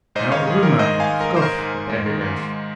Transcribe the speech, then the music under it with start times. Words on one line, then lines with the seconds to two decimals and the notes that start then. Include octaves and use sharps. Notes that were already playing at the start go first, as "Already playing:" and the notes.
Now, a woman scoffs at evidence.
0.15 G#2 C5 D#5
0.32 D#3 C#5 F5
0.47 G#2 G#4
0.63 D#3 A#4
0.79 G#3 C5 D#5
0.95 G#2
1.00 F5 G#5
1.10 G#3
1.21 A#4
1.26 G#3
1.36 C5
1.42 G#3 A#4
1.58 G#2
1.74 G#2
1.90 G#3
2.06 D#3
2.21 G#2
2.38 G#3